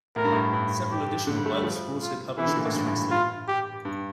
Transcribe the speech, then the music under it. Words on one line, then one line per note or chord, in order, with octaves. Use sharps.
Several additional works were also published posthumously.
A2 A#4
G2
A2
G2
G4
D3
G3
A3
G3
F3
F4
E3 E4
D3
A#2
A2
G2
A2
F4
G4
G2